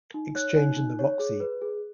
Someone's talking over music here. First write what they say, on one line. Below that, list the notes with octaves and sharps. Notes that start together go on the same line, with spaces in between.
Exchange, and The Roxy.
D#4
C#5 F#6
D#4
D#4
C#5
G#4
B4
G#4